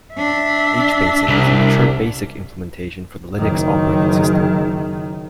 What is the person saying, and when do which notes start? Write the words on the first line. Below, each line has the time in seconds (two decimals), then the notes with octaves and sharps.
Hbasic is a mature Basic implementation for the Linux operating system.
0.14 D4 E5
1.28 C2
3.38 F#1 D#3